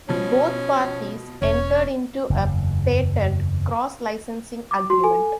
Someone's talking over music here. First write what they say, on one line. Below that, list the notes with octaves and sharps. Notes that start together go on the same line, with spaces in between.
Both parties entered into a patent cross-licensing agreement.
B2 F3 C#4
E1 C#4 C#5
F#1 E2
D6
F#4 C6
A4 G#5